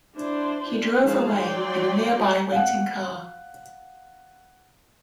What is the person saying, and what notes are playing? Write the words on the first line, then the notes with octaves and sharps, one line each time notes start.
He drove away in a nearby waiting car.
D4 E4 C5
D#3 F3 G#3 G#4 F5 A5
F#3 D5 G5 C6
F5 F#5